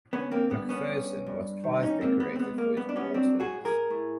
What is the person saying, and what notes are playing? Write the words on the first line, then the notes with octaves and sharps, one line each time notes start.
McPherson was twice decorated for his war service.
D3 B3 C#4
A#3 C4
G2 B3
B3 C#4
G2
G2
D#3
C#4 D#4
G#3 A#3 C4
B3
C4
G#3 B3
A#3
G2 B3
D4
B3 C#4
F#3 C4 D4
F#4 G#4
A2
G#4 A#4
A2